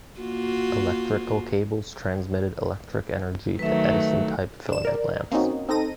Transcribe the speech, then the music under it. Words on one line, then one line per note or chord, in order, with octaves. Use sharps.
Electrical cables transmitted electric energy to Edison-type filament lamps.
A#3 F4 F#4
D#3 F#3 A3 B4 E5
D4 E7
A#4 D5
A#3 C4 C#4 D#4 F#4
C4 D#4 A4 A#6 D#7